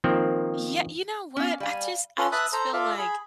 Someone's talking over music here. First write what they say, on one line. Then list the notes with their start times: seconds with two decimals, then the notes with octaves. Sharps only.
Yeah you know what, I just I just feel like,
0.04 D#3 F3 A#3 C4
1.37 B3 C#4 F5
1.60 G3 F5 G#5
2.18 C#4 F4 A4 B4 C6
2.32 B4 E5 A5 B5 D#6 F#6
2.53 A4 C5 A#5
2.73 F4 A4 D5 E5 F5
2.98 G#4 B5